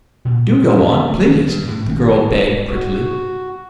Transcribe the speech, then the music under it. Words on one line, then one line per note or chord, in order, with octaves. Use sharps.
"Do go on--please!" the girl begged prettily.
A#2
A2
C#4
B3
A3
D#3
G2
A2
G#1
F#4